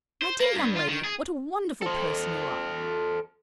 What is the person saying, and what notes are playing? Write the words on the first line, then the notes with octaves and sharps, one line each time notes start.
My dear young lady, what a wonderful person you are!
C5
A#3
G2
F4
D#3
G#4
A4 C5